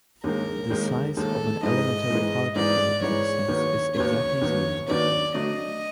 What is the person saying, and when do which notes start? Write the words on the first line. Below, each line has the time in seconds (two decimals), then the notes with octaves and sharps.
The "size" of an elementary particle, in this sense, is exactly zero.
0.24 D#2 D#3 G#3 A#4
0.70 D#2 D#3 G#3
1.17 D#2 D#3 G#3 A4
1.63 G#2 E3 G#3 D#5
2.10 G#2 E3 G#3
2.56 G#2 E3 G#3 D5
3.02 G#2 E3 G#3 C#5
3.48 D#2 D#3 F#3 B3
3.95 D#2 D#3 F#3 B3 C#5
4.41 D#2 D#3 F#3 B3
4.87 D#2 D#3 F#3 B3 D5
5.34 D3 F#3 A3 D4 D#5